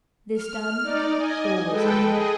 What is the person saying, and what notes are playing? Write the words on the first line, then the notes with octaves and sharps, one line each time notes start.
This done, all was done.
F6
D#4 D5
D#5 G#5
G#3 A4 B4 G5
G#4 D#5